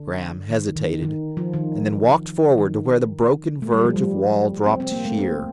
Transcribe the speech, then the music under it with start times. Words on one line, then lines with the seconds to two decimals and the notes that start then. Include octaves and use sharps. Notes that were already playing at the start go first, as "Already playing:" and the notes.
Graham hesitated, and then walked forward to where the broken verge of wall dropped sheer.
Already playing: D3
0.50 D#3
0.76 D#3
1.03 D#3
1.37 F3
1.53 D#3
2.58 D#3
3.62 A3
3.74 G3
3.85 F3
3.96 G3
4.66 C4
4.80 C4
4.92 A#3
5.05 A3
5.19 C4